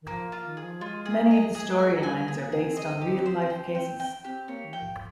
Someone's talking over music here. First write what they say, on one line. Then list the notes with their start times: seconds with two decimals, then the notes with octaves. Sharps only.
Many of the storylines are based on real-life cases.
0.01 D#3
0.07 F3 A#3
0.32 F4
0.44 D#3
0.57 G#4
0.63 F3
0.81 G#3 F4
1.06 A#3 G#4
1.17 G#3
1.31 D#5
1.55 G#3 G#4
1.79 G#5
1.92 G3
2.03 G#5
2.28 A#3 G#4
2.52 A#3 G#4
2.64 C4
2.77 D#5
3.02 G4
3.26 C5
3.50 G5
3.75 C4 G5
4.00 G5
4.24 C4 G4
4.48 A#3 C#5
4.64 D#3
4.73 F3 G5